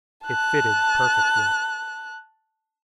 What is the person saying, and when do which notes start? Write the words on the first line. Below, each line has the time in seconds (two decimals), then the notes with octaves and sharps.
It fitted perfectly.
0.25 A5 F#6